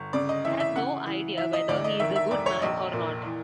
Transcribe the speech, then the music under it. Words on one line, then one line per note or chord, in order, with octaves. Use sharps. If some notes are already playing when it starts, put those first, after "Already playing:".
I have no idea whether he is a good man or not.
Already playing: G1
C#3 D5
D#5
E3 E5
E5
C#3 F#5
E3
E3 E5
D#5
D2 D5
D#5
D#3 E5
E5
F1 D5
C#5
A#1 D#5
A#2
E3